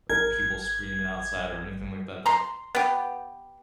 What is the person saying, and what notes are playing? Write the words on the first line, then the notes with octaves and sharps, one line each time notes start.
like, people screaming outside or anything like that that
G#1 A#4 G#6
A#5 C6
B3 G4